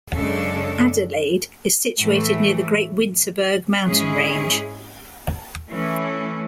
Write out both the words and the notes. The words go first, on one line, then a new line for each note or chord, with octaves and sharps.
Adelaide is situated near the Great Winterberg Mountain range.
F#2 C#3 G#3 D4 A4
A2 E3 A3
G#2 G#3 C#4 E4 G#4
E3 A3 C#4